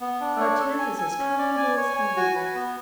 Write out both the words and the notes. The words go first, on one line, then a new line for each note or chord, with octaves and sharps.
Our tent is as comfortable as can be.
B3
D4
C#5
A4
G#5
G#5
C#4
D5
G#5
C#5
G#5
F#4
B4
B3